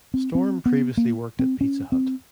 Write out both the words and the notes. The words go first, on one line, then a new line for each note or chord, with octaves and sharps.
Storm previously worked at Pizza Hut.
C4
C4
B3
A#3
C4
C#4
C4